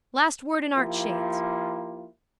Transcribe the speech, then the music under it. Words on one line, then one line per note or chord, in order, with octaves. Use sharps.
Last word in art shades.
F3 A#3 E4 F4 G4